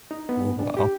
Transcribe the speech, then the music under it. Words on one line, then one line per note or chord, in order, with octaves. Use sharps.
Oh wow.
D#4
B3
D4
G4